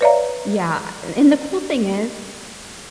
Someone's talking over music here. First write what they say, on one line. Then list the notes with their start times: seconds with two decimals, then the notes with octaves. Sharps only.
Yeah, uh a and the cool thing is
0.01 B4 C#5 D5 E5 F5 A#5